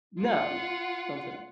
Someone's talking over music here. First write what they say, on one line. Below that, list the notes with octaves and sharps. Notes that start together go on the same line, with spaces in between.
No, no, don't say that.
F4 F#5